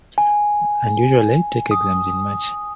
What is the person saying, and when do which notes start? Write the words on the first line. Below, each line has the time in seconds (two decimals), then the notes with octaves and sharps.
And usually take exams in March.
0.18 G#5
1.71 D#6